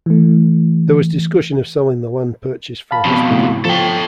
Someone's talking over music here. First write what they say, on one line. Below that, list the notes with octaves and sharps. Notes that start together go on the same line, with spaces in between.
There was discussion of selling the land purchased for a hospital.
E3 A3
F5 A5 B5
F2 B2
A2 C#3
F3 A4 G5